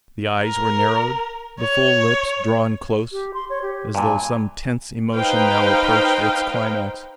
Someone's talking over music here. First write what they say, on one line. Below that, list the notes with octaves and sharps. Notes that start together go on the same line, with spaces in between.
The eyes were narrowed, the full lips drawn close, as though some tense emotion now approached its climax.
A#4
C#5
G4
C6
C#5
G4
G2 A#2 G#5
D#4 B4 C5 F5 G5